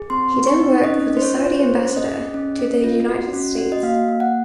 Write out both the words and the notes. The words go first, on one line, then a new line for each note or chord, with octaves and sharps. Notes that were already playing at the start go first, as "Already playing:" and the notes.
He then worked for the Saudi ambassador to the United States.
Already playing: G#4
C4 C6
C4
C#6
D#4
C#4 D#5
C#4
C5
C#5
F4
C#5
G#4 C5
C#4
D#5
G#4
C#4
C#4
F4
F#4
C#4
F#4
D#5
A#3 F5
A#3
F#5